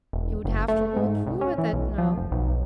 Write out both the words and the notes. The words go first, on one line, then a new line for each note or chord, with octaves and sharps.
He would have to go through with it now.
E1
F#1
A3
G#2
C2
C#4
E3
B1
F3
F1
B1